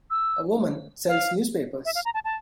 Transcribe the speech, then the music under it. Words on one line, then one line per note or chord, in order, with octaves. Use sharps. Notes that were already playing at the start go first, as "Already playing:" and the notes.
A woman sells newspapers.
E6
F5
E5
F5
A#5
A5
A5